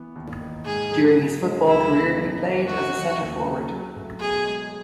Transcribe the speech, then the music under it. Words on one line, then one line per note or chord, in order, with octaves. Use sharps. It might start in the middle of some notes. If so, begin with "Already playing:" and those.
During his football career, he played as a center-forward.
Already playing: E3 B3
D#2
D#3
G#2 G#4
F#3
B2
G#3
C#2 E4
B2
F#2
E3
F#2 F#4
D#3
D#2
C#3
F#3
A3
B2 G#4
G#3